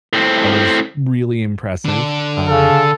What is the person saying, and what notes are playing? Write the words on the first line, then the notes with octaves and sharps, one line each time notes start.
oh, was really impressive. Uh,
A2 C4
D3 D4
C#3 A4